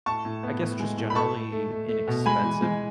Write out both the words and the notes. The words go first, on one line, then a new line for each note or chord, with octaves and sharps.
I guess, just generally inexpensive
A2 A5 C#6
A2
B3
A2
G#3
A2
B5
A3 A5 C#6
A3
A3
A3
A3
B2
G#3 G#5 B5
E3
G#3